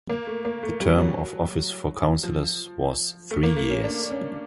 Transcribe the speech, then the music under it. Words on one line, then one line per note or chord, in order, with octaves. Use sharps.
The term of office for councillors was three years.
A#3
A3
A#3
A3
G3
F#3
F3
A3
A#3
A3
C#4
D4
C#4